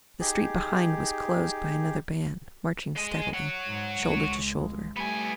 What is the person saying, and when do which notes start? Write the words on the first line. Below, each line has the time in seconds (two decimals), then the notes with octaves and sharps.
The street behind was closed by another band, marching steadily, shoulder to shoulder.
0.21 D#4 G4 G#4
2.96 G#3 D#5
3.34 C#5 F#5
3.66 G#2
3.97 C#2 G#3
4.96 G3 A3 B3 G#5